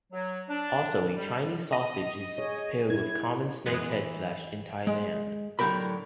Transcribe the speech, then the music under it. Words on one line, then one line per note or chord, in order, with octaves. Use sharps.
Also, a Chinese sausage is prepared with common snakehead flesh in Thailand.
F#3
D4
G3
D#5
G#4 C#5
E4 G#6
F#2 E3 G#3 B3
G#3
A2 D3 F#3 G4 A#4 B5